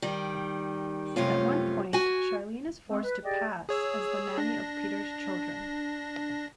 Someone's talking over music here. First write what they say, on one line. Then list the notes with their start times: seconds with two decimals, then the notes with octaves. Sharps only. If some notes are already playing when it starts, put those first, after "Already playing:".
At one point, Charlene is forced to "pass" as the nanny of Peter's children.
0.02 D#3 G3
1.16 F#2 C3 G3 A3 C#4 F4
1.93 F#4 G#5
2.89 G#3 A3 C4
3.04 B4
3.23 G4 G#4 D5 D#5 G5
3.69 G#4 C#5 E6
4.38 D4 A#6